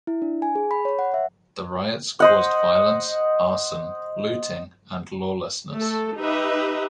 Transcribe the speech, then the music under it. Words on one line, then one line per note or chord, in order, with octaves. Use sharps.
The riots caused violence, arson, looting and lawlessness.
E4
D4
G#5
G#4
B5
C#5
F#5
E5
C5 D#5 F#5
A3 A4
D#4 G4 B4 D#5 E5